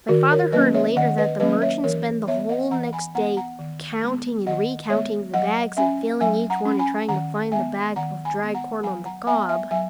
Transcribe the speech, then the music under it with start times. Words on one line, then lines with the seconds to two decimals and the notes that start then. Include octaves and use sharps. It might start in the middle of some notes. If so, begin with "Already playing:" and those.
My father heard later that the merchant spent the whole next day counting and recounting the bags and feeling each one trying to find the bag of dried corn on the cob.
0.08 D#3 F#4 A#4
0.31 A#4 C#5
0.52 F#3 A#3 C#4 B4 D#5
0.75 C#5 E5
0.96 D#3 D#5 F#5
1.18 B4 D#5
1.40 F#3 A#3 C#4 B4 D#5
1.62 C#5 E5
1.84 E3 A#4 C#5
2.27 B3 C#5 E5
2.49 D#5 F#5
2.71 E3 F#5 A#5
2.93 G#5 B5
3.15 B3 F#5 A#5
3.37 F#5 A#5
3.59 D#3
4.03 G#3 B3
4.47 D#3 D#5 F#5
4.90 G#3 B3 C#5 E5
5.33 F#3 D#5 F#5
5.77 C#4 E5 G#5
6.21 F#3 E5 G#5
6.50 F#5 A#5
6.65 C#4
6.79 G#5 B5
7.09 D#3 F#5 A#5
7.52 G#3 B3 E5 G#5
7.96 D#3 F#5 A#5
8.25 G#5 B5
8.40 G#3 B3
8.54 F#5 A#5
8.83 F#3 G#5 B5
9.05 F#5 A#5
9.27 B3 E5 G#5
9.49 E5 G#5
9.71 F#3 E5 G#5